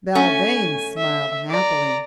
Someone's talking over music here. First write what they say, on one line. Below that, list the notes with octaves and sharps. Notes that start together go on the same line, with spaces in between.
Belvane smiled happily.
A3 C#4 G#5
E5
D5 A#5